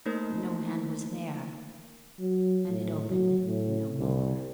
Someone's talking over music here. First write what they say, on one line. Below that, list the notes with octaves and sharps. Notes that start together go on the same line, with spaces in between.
But no hand was there, and it opened no more.
A3 A#3 D#4 A#4 C5
F#3
A2
F#3
A2
C2